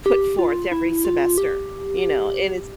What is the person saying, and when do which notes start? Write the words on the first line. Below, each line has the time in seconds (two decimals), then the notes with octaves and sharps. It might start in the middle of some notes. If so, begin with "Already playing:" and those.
put forth every semester, you know? And it's
0.06 G4
0.39 F4
0.72 E4
1.05 F4
1.38 G4